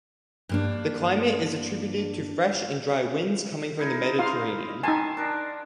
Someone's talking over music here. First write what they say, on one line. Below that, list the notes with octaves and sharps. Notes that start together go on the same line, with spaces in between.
The climate is attributed to fresh and dry winds coming from the Mediterranean.
G2 A#3 D4
D#4 E4 A#4
F4 F5
D#3 D#4 G#5 A5 C6
D4 A#4